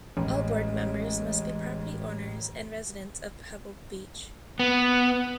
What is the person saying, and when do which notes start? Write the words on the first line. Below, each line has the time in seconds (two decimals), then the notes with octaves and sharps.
All board members must be property owners and residents of Pebble Beach.
0.17 A1 G#3
4.59 B3